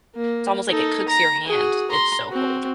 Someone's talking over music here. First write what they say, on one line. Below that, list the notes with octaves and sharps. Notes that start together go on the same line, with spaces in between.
it's almost like it cooks your hand, it's so cold.
A#3
D#4 A4
A#5
F#4 G#4
A#5 C6
C4 F#4